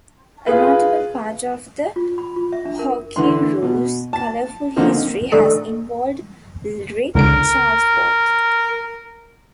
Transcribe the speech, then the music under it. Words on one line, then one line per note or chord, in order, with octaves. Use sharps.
A notable part of the Hockeyroos colourful history has involved Ric Charlesworth.
F4 G#4 B4
F4
B5
F4
E5
D4
A#4
D3 E3 C6
B2
A5
D3 F3 A#3 C4 D#4
A2 D3 D#4 A4
C#2 D3 A#4 D7